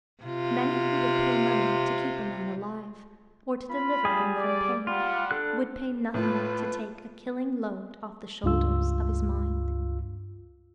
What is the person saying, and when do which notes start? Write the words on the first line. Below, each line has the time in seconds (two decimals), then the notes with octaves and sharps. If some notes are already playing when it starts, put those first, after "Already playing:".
Many who would pay money to keep a man alive or to deliver him from pain would pay nothing to take a killing load off the shoulders of his mind.
0.23 C3 F4
3.70 F4 B5
4.05 G3 G#4
4.36 D5
4.87 G3 F4 F#5
5.31 D4 A4 F#6
6.14 A2 F4 A4 B4
8.44 C#2 G2 F4 E6